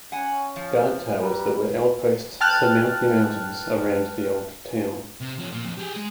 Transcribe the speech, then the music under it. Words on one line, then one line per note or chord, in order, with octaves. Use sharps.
Guard towers that were outposts surmount the mountains around the old town.
C#4 F#5 G#5
F3
G3 B4 A#5
G5 A5 F6 F#6 A6
C3
F3 C#4
A#2
F2
G4 G#4
G#3 G#4